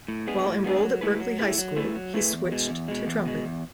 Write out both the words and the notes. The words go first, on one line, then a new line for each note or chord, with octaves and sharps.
While enrolled at Berkeley High School, he switched to trumpet.
A2
G#3 B3 D4 G#4
A2
G#3 B3 D4 G#4
F#3
A3 E4 G#4 B4
F#3
A3 E4 G#4 B4
F#3
A3 E4 G#4 B4
F#3
A3 E4 G#4 B4
E2
B2 G#3
E2
B2 G#3
E2
B2 G#3
E2